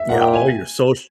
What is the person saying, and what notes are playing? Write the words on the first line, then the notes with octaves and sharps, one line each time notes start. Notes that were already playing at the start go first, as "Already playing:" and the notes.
yeah, all your soc
Already playing: E5
A#2 F#5
G5
G#5